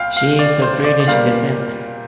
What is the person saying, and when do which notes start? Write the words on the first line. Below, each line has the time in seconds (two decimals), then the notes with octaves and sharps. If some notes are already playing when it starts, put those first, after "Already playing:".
She is of British descent.
Already playing: C2 A#2 F5 G5
0.17 F5
0.39 D5
0.62 C5
0.84 D5
1.00 D5
1.08 A#2 G3 A#3 F5